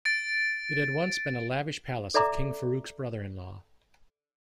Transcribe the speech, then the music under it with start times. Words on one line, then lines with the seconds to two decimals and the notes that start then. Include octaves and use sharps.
It had once been a lavish palace of King Farouk's brother-in-law.
0.05 A6 D7
2.14 A4 D5 E5 A#5 D6